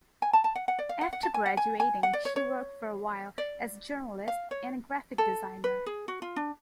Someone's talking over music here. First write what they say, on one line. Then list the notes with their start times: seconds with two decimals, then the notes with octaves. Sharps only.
After graduating, she worked for a while as a journalist and graphic designer.
0.22 G#5
0.33 A5
0.44 A5
0.56 F#5
0.68 F#5
0.79 D5
0.89 F5
1.01 F#5
1.13 F#5
1.23 A5
1.34 G#5
1.46 F#5
1.57 G#5
1.80 G#5
2.03 F#5
2.13 D5
2.25 C#5
2.36 C#5
3.38 D5
4.28 F5
4.51 C#5
5.18 A4
5.64 B4
5.86 G#4
6.08 F#4
6.22 F4
6.36 D4